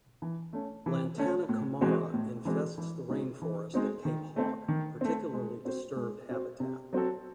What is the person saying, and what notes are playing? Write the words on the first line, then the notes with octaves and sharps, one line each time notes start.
"Lantana camara" infests the rainforest at Cape Hawke, particularly disturbed habitat.
E3
A3 C#4
E3
A3 C#4
A2
E3 G#3 C4 F#4
A2
E3 G#3 C4 F#4
E3
G#3 C4 D#4 F#4
E3
G#3 C4 D#4 F#4
D#3
A3 C4
D#3
A3 C4
G#3
C4 F#4 C5
G#3
C4 F#4 C5
C3
F#3 C4 F#4 A4